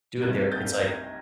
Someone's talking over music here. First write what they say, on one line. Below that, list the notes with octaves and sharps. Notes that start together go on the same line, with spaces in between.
do it there, it's like,
C2 C3 D#3 G3 A#3 F#6 G#6
G6 A6
G#6 A#6